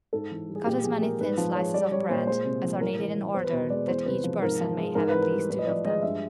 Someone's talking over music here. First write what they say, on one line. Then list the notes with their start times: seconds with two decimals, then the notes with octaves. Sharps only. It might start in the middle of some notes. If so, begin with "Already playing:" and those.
Cut as many thin slices of bread as are needed in order that each person may have at least two of them.
0.13 G#2 A4
0.31 E3
0.49 G3
0.56 G#4
0.66 A#2 G4
0.84 F3 G#4
1.02 G#3 A#4
1.21 G#2 B4
1.38 F3
1.55 G#3 C#5
1.74 G3 D5
1.92 G3 C#5
2.09 A#2 C5
2.27 G#3 C5
2.45 C3
2.64 F3
2.81 A2 A#4
2.99 E3
3.17 G3
3.34 E2 C5
3.44 B4
3.52 B2 C5
3.70 G#3 D5
3.88 E2 C5
4.06 C3 B4
4.24 F3
4.42 G#2 A#4
4.61 F3
4.78 G#3
4.95 G#2 A#4
5.08 B4
5.14 E3
5.22 A#4
5.31 G3
5.50 A2 B4
5.59 D#5
5.67 F3 D5
5.85 G#3 D#5
6.02 G2 E5